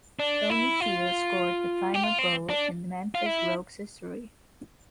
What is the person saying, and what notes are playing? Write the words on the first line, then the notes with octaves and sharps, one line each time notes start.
Tony Field scored the final goal in Memphis Rogues history.
D4
E4
F4
G4
F4
C4
D4
F4
E4